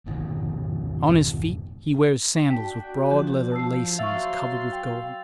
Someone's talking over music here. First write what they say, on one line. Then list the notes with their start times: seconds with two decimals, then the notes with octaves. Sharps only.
On his feet he wears sandals with broad leather lacings covered with gold.
0.06 F1 G#2 B2 D#3
2.50 D4 F#4 G5 A5 B6
3.11 F3 G6
3.52 A5 E6 C7
3.99 F#3 E5 F5 C6 C#6 E6 A6 F7
4.73 G5